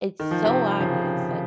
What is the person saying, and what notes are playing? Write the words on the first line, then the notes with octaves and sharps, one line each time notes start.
it's so obvious, like,
D#3
F3
C3 D#3
C#3 F3